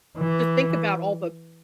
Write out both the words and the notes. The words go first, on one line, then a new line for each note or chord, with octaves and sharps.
to think about all the,
E3